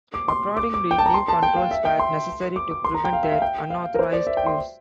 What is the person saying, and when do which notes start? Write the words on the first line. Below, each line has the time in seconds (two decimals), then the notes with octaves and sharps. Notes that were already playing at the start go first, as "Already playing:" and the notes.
Accordingly, new controls were necessary to prevent their unauthorized use.
0.14 D6
0.28 C6
0.57 D6
0.74 D6
0.91 G5
0.98 A5
1.06 A#5
1.14 C6
1.28 A5
1.43 G5
1.56 F5
1.71 E5
1.85 G5
1.99 C6
2.56 D6
2.71 D6
2.85 C6
2.94 A#5
3.04 G5
3.13 F5
3.23 E5
3.32 F5
3.42 G5
3.70 F5
3.94 A#4
3.99 C5
4.13 D5
4.27 E5
4.37 G5
4.46 C6